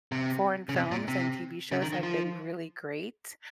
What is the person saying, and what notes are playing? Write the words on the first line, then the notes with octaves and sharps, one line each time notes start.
foreign films and TV shows have been really great.
C3
C#3
C3
A#2
C3
C#3
D#3
D#3
F3